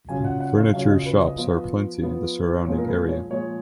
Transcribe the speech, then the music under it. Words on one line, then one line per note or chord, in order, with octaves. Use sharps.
Furniture shops are plenty in the surrounding area.
C#3 F#3 C#4 F4 G#5
F#5
F#5
F5
C#3 F#3 C#4 F4 F5
D#5
B4
D#5
F3 B3 F4
F3 B3 F4
A#2 F3 G#3 C#5
A#4
B4
C#5
A#2 F3 G#3 C#5